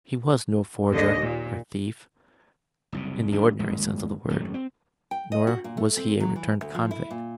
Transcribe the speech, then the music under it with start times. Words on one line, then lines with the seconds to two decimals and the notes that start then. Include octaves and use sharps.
He was no forger, or thief--in the ordinary sense of the word; nor was he a returned convict.
0.90 D#2 D3 D#5
1.19 A#2
2.92 F#1 C2 C3
3.31 D1 D#2 G3 D4
3.60 D1 G1 D#2 G#3
4.29 G#1 F#2 A3
4.54 C4
5.11 G5
5.32 D#5
5.47 F#4
5.64 A#2
5.77 A3
5.97 C4
6.20 F#3
6.36 E3
6.61 D2
6.75 F3
6.91 E4
7.10 A#2